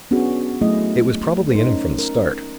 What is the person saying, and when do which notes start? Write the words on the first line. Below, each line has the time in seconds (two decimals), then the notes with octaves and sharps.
It was probably in him from the start.
0.11 B3 C#4 D4 F#4 G#4
0.61 F#3 A3 E4 G#4 D#5
1.51 D#4 A#4 C5
1.66 C#4
1.99 A#4